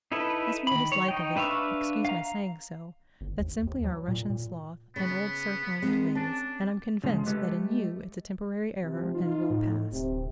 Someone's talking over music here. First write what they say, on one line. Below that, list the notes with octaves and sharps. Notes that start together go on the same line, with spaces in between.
"As for your dislike of it, excuse my saying so, that's simply our Russian sloth and old serf-owner's ways, and I'm convinced that in you it's a temporary error and will pass."
D#4 E4 A4 B4
D#3 B5
C#5
D#4 G5
D4 B4 E5 F5 C#6
F5 A#5
G1
D#2
D#2
F#3
A#2
A#2
C#3 B3
G#3 C4 A#4
C#4 D4 A5
C#3 F3 G#3
G#3 A3 G4 B4
C3 F3
D#4 F4
A2
D1 C3